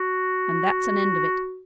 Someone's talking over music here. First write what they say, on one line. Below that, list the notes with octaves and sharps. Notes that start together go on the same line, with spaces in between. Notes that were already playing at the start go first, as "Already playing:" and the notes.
And that's an end of it.
Already playing: F#4